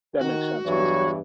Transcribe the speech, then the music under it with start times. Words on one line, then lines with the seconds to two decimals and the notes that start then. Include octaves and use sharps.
That makes sense 'cause
0.21 D#3 F#4
0.66 E2 G2 E3 F#3 C#5